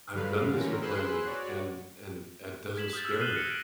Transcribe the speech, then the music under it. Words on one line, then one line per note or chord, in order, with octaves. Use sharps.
I've done the ziplining, and and that doesn't scare me.
G2 D3 F#3 B4 F5
D3 E3 F#3 C4 C#4 A#4
G#4 B4 C5 C6 E6 F#6
F#4 C#5 D5
G#6 B6 E7 F#7
D#6 F6 G6 A6
E6 F6
F#6 C7 D#7 E7 F#7 G7
E6 F6 G6 A#6 C#7 D#7
G#6 A#6 D7 F#7